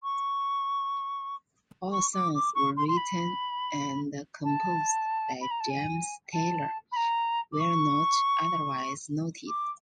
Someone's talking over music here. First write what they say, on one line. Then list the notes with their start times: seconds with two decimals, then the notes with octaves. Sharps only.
All songs were written and composed by James Taylor where not otherwise noted.
0.03 C#6
1.92 C#6
2.13 D6
2.35 D6
2.55 C#6
2.77 C6
2.88 C6
2.97 B5
4.44 A5
5.41 B5
5.51 A#5
5.60 A5
5.70 G#5
6.33 A5
6.92 B5
6.96 A#5
7.52 D6
7.59 C#6
9.48 D6